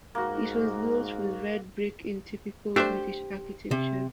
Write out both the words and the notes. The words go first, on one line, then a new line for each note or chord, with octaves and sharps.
It was built with red brick in typical British Architecture.
G#2 A#3 F#4
A3 D4 G4 C5 E5
C3